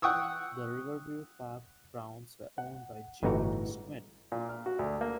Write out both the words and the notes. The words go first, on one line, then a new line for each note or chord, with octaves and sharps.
The Riverview Park grounds were owned by George Schmidt.
F#5 G5 C#6 D#6 E6
F#5
G1 A2 E3 D#4 F#4 A#5
A#2
F6
F#4
D2
A#3